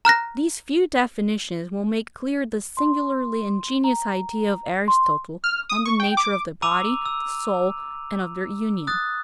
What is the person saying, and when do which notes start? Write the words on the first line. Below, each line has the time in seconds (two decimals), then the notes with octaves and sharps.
These few definitions will make clear the singularly ingenious idea of Aristotle on the nature of the body, the soul, and of their union.
0.05 A#5 F6 F#6 A#6
2.77 C6
3.84 A#5
4.88 C6
5.44 F6
5.69 D#6
5.86 C#6
6.00 G5
6.17 D6
6.62 A#5 D6 E6 D#7 F7
7.06 E6
8.87 D#6 F#6 A6